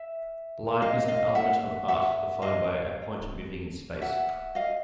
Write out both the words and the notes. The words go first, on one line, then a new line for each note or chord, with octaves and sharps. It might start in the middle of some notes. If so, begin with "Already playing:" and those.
Line is an element of art defined by a point moving in space.
Already playing: E5
D#5 F5
D#5 F5
E5 F#5
E5 F#5
D#5 F5
E5 F#5
D#5 F5